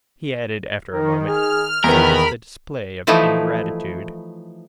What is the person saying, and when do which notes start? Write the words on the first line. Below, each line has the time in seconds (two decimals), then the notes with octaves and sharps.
He added after a moment: "So does the display of ingratitude."
0.92 D#3 A#4
1.27 G#4 F6
1.84 E2 D#3 B3 A#4 B5
3.07 E3 F3 A3 D#4 E4